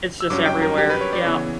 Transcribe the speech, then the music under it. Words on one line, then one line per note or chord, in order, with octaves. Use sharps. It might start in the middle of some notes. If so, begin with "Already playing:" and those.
It's just everywhere, yeah.
E6
G2 F#3 C#4 D6
G5
A#4
G4
B4
C#5
D5
C#3 E3 B3 C#5